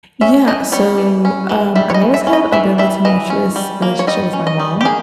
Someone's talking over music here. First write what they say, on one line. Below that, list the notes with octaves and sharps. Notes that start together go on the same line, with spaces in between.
Yeah, so, um, I've always had a bit of a tumultuous relationship with my mom,
C#4 E5
E3 D#5
G3 C#5
E3
C#4
E3
G3 E5
C#5
D#5
E3
E5
C#4
D#5
E3 E5
G3 E5
E3 D#5
C#4
G3
A#3
C#5
G3 D#5
C#4
D#5
G3
G4
A#3 G#4